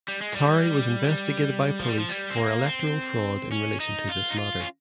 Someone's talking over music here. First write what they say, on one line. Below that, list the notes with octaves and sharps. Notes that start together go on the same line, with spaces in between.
Tarry was investigated by police for electoral fraud in relation to this matter.
G3
G#3
G3
F3
G3
F3
G3
C4
A#3
C4
C#4
D#4
F4
D#4
F4
C#4